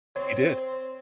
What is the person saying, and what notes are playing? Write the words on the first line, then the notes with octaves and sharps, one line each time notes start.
He did.
C4 C#5